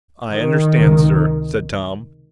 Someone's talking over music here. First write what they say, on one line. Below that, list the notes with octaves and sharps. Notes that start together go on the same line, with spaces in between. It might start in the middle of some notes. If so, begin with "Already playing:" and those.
"I understand, sir," said Tom.
D#3
C#2 C3